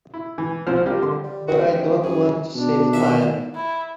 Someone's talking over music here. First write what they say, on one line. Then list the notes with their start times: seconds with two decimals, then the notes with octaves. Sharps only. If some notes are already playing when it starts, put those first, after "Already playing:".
But I don't want to save time.
0.14 E4
0.38 E3
0.67 C2 F3 C4 C5 F6
0.86 G3 F4 G4 A#4
1.01 D3 C6
1.24 G3
1.48 E2 F#4 C5 E5 G5
1.65 F1 G#3
2.03 F#2 G#4
2.54 B2 D4
2.93 D#3 E3 F#4 E5
3.56 E4